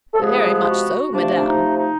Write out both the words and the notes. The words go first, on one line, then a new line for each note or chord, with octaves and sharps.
"Very much so, madame."
A4
C3 F3 G#3 B3 G#4
F4
F#4
C3 F3 A3 D4
D#4
D#4